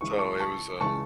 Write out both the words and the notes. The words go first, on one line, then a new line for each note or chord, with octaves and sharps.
so it was, um,
C#2 C#3 E3 C#6
A5 C#6
A5 C#6
C#2 C#3 E3 A5 C#6